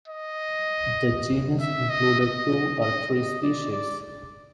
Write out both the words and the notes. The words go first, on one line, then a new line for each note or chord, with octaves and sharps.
The genus includes two or three species.
D#5
E5
D#5
D#5
D#5
D#5
D5
D5